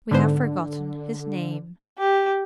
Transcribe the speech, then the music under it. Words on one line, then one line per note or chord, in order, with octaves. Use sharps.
We have forgotten his name.
G#2 D3 B3 C5
G4